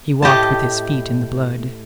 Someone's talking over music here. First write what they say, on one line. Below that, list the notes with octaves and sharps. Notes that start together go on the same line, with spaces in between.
He walked with his feet in the blood.
A2 G4 D#5 A5